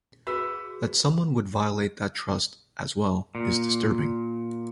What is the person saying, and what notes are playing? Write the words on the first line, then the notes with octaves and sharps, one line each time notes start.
That somebody would violate that trust as well, is disturbing.
F#4 G#4 B4 E6 B6
A#2